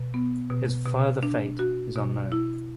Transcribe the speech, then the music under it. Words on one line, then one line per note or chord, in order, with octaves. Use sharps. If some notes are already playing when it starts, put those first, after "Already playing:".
His further fate is unknown.
Already playing: B2
B3
B2
B2
D4
F#4
B2
E4